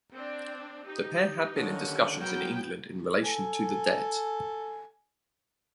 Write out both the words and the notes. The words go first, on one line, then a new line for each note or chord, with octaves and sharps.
The pair had been in discussions in England in relation to the debt.
C4 D4
D#4 G4
D3 D#3 A#3 C#4
G3
F#3 B3 A#4 G5
A4 G#5